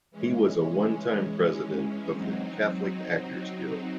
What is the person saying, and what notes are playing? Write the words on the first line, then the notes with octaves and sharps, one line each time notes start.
He was a one time president of the Catholic Actors Guild.
E3 G#3 C#4
F#3 C4 D#4